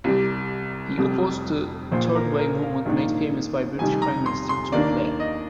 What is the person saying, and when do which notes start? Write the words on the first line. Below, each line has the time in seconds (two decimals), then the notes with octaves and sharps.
He opposed the Third Way movement made famous by British Prime Minister Tony Blair.
0.04 C2 C3 G3
0.98 F1 F2 C3 G3
1.91 A#1 A#2 F3 C5
2.15 A#4
2.39 A#4
2.62 F5
2.85 A#1 G#2 D#3 A#3 D4
3.79 F1 F2 C3 D#3 G3 G#5
4.02 A#5
4.26 C6
4.49 C6
4.72 D#2 D#3 A#3 D4 D5
5.20 D#5